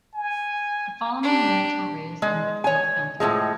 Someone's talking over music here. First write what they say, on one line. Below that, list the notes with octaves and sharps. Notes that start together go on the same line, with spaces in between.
The following units were raised in Whitfield County.
G#5
D4 G4
G#3
C#5 G#5
A2 C#3 F3 G#3